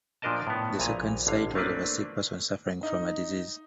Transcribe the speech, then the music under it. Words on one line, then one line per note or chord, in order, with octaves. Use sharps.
The second sight was of a sick person suffering from a disease.
A#2 F3 D4 A#4 D#5 A5
A2 B3
A#1 A#2 G#5 A#5
A1 D3 F5
A3 A#3 C4 D4 B4
D#4